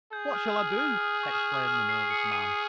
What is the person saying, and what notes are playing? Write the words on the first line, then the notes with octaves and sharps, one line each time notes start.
"What shall I do?" exclaimed the nervous man.
G#4 G6
D#6
F6
F6
F6
D#6
C#6
F6
D#6
F6
C7
C#7
D#7